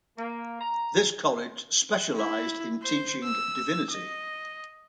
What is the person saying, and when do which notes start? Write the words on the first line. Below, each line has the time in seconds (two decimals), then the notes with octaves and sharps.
This college specialised in teaching Divinity.
0.17 A#3
0.61 A#5
2.16 E4
2.82 C5
3.24 E6
3.91 D#5